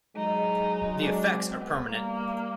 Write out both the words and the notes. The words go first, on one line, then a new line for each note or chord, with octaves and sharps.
The effects are permanent.
F#3 G#3 D#4
D4
C4
B3
G3 A#3